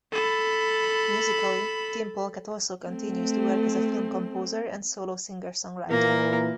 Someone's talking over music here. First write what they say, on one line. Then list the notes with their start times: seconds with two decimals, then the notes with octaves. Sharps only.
Musically, Tim Polecat also continues to work as a film composer and solo singer-songwriter.
0.13 A4 B5
2.86 A3 C4
5.89 A#2 E3 A#3 A#4